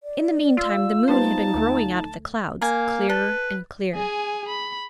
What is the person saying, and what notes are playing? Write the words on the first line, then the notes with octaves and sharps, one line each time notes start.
In the mean time the moon had been growing out of the clouds, clearer and clearer.
D5
F4 E6
G3 B3 D#4 C5 A5
D2 A3
A#3 G#5 A#5
A4 B4
G#4 G#5
B5